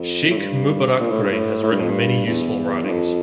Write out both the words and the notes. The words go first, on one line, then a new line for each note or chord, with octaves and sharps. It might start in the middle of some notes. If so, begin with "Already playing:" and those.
Sheikh Mubarakpuri has written many useful writings.
Already playing: F2
A2
G2
A#2
A2
G2
A2
A2
G2
F2
G2
E2
G2
F2